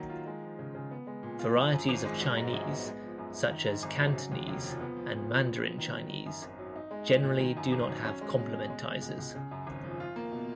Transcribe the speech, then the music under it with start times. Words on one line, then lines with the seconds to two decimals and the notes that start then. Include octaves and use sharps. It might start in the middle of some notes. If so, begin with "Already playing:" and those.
Varieties of Chinese, such as Cantonese and Mandarin Chinese, generally do not have complementizers.
Already playing: D#3 F#3 A#3
0.10 F4
0.26 G#3
0.43 F3
0.59 C#3
0.75 C#3
0.91 B3
1.07 G#3
1.23 A#2
1.39 F4
1.56 F3
1.72 F#2
1.89 G#1
2.05 G#3
2.21 F#3
2.37 G#2
2.53 A#1
2.69 B3
2.86 G#3
3.02 F3
3.18 F#2
3.35 F#2
3.51 D#3
3.67 G#2
3.83 G#1
3.99 F#3
4.15 C#3
4.32 D#2
4.48 F1
4.64 F3
4.81 B3
4.97 F3
5.13 A#2
5.29 A#2
5.45 B3
5.62 F#3
5.78 D#3
5.94 D#3
6.10 D#3
6.26 F#2
6.43 G#1
6.59 F#3
6.76 D#4
6.91 G#3
7.07 A#2
7.23 A#2
7.40 D#3
7.57 F#2
7.72 G#1
7.89 F#3
8.05 C#4
8.21 G#3
8.38 B2
8.53 G#4
8.70 G#3
8.86 B2
9.02 C#2
9.18 C#2
9.35 C#3
9.51 F#2
9.67 G#1
9.84 F3
10.00 F4
10.16 A#3
10.32 B2